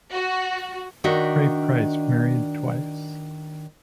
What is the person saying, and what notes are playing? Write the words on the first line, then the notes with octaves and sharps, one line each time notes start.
Ray Price married twice.
F#4
D#3 D4 F#4 D#5 E5